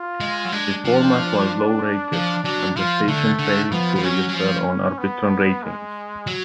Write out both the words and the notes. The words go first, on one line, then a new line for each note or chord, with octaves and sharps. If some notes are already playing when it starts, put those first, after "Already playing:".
The format was low-rated, and the station failed to register on Arbitron ratings.
Already playing: F4
G#3
F#3
G#3 D4
F3
F3
F#3 D4
F3 F4
D3 A3
D3
F3 B3
F3
F#3 C#4
F#3
F3 C#4
B3
G#3
F#3